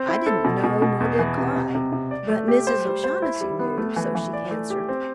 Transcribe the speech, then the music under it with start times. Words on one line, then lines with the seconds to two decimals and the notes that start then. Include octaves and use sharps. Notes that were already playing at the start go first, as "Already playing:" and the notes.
I didn't know nor did Clyde, but Mrs. O'Shaughnessy knew, so she answered.
Already playing: C4
0.08 E4
0.26 A4
0.45 B2
0.64 B2
0.82 B2
1.00 E2
1.19 E3
1.38 C3
1.56 C3
1.75 C3
1.92 C3
2.11 D5
2.30 A3
2.48 G4
2.67 C5
2.85 G3
3.04 C5
3.22 E4
3.41 G3
3.59 B3
3.78 A3
3.96 E3
4.15 E3
4.33 D5
4.51 A3
4.70 G4
4.89 C4